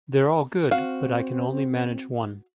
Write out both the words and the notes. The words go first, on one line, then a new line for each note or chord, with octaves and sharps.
They're all good but I can only manage one.
C4 F#4 F5